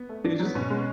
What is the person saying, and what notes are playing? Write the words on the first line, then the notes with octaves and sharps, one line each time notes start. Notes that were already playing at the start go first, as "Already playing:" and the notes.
You just
Already playing: B3
A3
D4
F#3
B3
B2 C#4
G#3